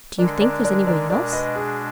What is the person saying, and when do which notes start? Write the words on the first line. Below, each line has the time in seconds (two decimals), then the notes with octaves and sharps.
'Do you think there's any one else?'
0.18 D3 G#3 D4 A#4 D5
0.41 A#4 D5
0.64 A#4 D5
0.87 A#4 D5
1.09 B2 G#3 D4 A#4 D5
1.33 B4 D#5
1.56 G#4